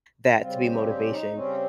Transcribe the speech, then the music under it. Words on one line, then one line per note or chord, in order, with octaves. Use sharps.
that to be motivation.
C#3 G3 C4 F4
G4
G4
D#4
C#3 G3 C4 C#4